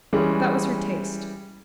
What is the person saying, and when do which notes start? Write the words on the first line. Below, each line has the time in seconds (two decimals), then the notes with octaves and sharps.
That was her taste.
0.13 E3 G3 G#3 C#4 G#4